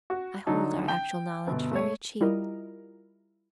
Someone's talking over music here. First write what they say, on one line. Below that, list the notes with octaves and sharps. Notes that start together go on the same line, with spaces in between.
I hold our actual knowledge very cheap.
F#4
D3 F#3 D#4 A5
G5
G1 B2
A3 C#5
G3 E4 F4 A#4 D#5